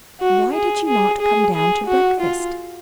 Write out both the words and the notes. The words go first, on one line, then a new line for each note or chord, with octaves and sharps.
Why did you not come down to breakfast?
F#4
G#4
G#4
G#4
G#4
F#4
F4